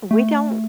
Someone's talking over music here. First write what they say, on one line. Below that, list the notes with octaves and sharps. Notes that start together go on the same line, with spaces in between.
we don't
A3